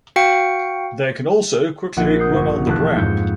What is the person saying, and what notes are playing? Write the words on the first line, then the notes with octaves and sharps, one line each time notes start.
They can also quickly run on the ground.
F#4 F5 G5 C#7
A#1 F#5 D#7
D#6 G6 G#6 C7
G1 D#4 C#6
E1 A5 F#6
F2 G#2 G#3 G6 C#7